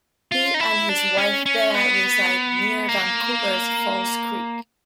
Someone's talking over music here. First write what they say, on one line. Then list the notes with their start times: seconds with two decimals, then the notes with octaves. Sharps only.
He and his wife Bea reside near Vancouver's False Creek.
0.32 F4
0.54 D#4
0.60 E4
0.89 D4
1.17 C#4
1.46 C#4
1.75 B3
2.89 A#3